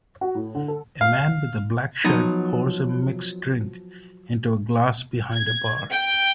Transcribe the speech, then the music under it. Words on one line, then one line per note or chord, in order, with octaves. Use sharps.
A man with a black shirt pours a mixed drink into a glass behind a bar.
F#4
A2
D3
A4
F5
F3 F#3 B3 D#4
G#6
G5